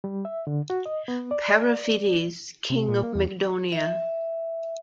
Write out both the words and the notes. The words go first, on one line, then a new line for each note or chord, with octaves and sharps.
Periphetes, king of Mygdonia.
G3
E5
D3
F#4
D#5
B3
D5
C3
A#2
A#3
E2
E5